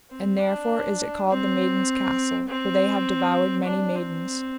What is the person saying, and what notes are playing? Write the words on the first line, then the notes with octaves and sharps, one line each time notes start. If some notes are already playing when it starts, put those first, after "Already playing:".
And therefore is it called the Maidens' Castle, for they have devoured many maidens.
C4
D4
C4
C4
D4
C4